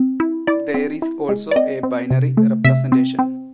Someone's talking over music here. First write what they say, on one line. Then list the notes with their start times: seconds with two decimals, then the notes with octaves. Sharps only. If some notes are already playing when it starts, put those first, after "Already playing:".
There is also a binary representation.
Already playing: C4
0.20 E4
0.47 E4 D5
0.74 C4
1.02 E4
1.29 G#3
1.51 D5
1.56 C4 D#5
1.83 C4
2.10 C3
2.37 A3
2.65 C3 E5
2.92 C4
3.19 C4